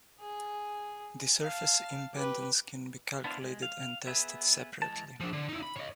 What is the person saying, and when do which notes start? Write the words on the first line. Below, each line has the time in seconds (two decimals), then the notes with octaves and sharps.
The surface impedance can be calculated and tested separately.
0.21 G#4
1.43 F5 A5
2.15 G4 B4
3.24 B3 D4 E4 C5 F5
3.42 G#3
3.62 F5
4.07 B3 G#4 B4 E5
4.82 E3 G#3 A5
5.20 F3 D4
5.33 D3
5.49 D#4 E4
5.63 B5
5.76 C#5 D#5